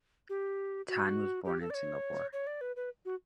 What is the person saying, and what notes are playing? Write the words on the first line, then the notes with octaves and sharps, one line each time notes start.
Tan was born in Singapore.
G4
F#4
G4
A4
D5
C#5
C#5
D5
B4
B4
F#4